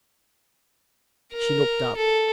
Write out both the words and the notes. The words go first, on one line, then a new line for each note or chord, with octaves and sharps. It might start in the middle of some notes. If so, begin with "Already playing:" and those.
She looked up.
A#4
A4